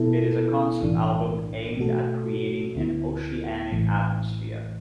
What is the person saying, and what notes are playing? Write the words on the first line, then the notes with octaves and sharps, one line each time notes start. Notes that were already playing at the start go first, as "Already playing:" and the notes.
It is a concept album aimed at creating an oceanic atmosphere.
Already playing: B2 B3 E4 A4
B1 A2 E3 D4
B2 A3 F#4 A4
D2 D3 B3 E4
A1 A2 E3